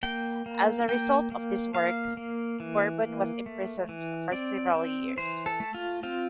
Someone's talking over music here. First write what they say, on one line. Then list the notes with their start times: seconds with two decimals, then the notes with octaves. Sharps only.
As a result of this work, Bourbon was imprisoned for several years.
0.03 A#3 G5
0.46 A#3
0.89 A#3 G5
1.32 A#3
1.74 A#3 F5
2.17 A#3
2.60 E3
3.03 A#3
3.46 A3
3.89 E3
4.32 C4 D5
4.74 C4
5.17 E3 C5
5.46 A4
5.60 A3
5.74 F4
6.03 C4 F4